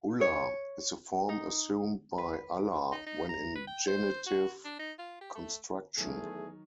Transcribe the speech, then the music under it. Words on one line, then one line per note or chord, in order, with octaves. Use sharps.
Ullah is the form assumed by "Allah" when in a genitive construction.
C#5
D#4
B4
D#4
D#4
A#5
B4
G5
C5
F#4
D4
D#4
F4
G4
A3
E2 D#3 F#3 A3 G#4